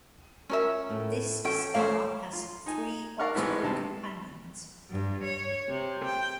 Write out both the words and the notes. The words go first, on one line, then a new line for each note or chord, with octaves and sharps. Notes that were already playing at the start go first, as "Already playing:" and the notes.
This star has three optical companions.
C#4 A#4 E5
A2
E3 C#4 A4 E5 G5
A3 A#4 C5 C#5 E5 F5
F4
D#4 G#5
A#4 D5 F5 F#5 C#6 F6
A1 G#2 B3 E4 E5
G2 C3 A5
G2
C#5
C3
G5